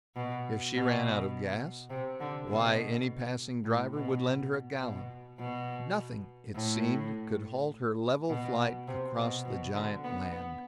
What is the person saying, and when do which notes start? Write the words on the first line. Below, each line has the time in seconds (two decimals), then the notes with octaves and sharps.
If she ran out of gas--why, any passing driver would lend her a gallon. Nothing, it seemed, could halt her level flight across the giant land.
0.16 B2
0.75 B2
1.90 C3
2.20 D3
2.49 B2
3.64 A2
3.94 B2
4.81 B2
5.39 B2
6.55 A2
8.29 B2
8.88 C3
9.17 B2
9.45 B2
9.73 D3
10.04 B3
10.32 B3